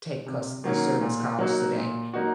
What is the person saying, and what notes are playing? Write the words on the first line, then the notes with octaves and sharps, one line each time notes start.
take customer service calls today,
C3
D#3 F#3 A#3 C#4
A#2
F#3 A#3 D#4 F#4
A#2
F#3 A#3 D#4 F#4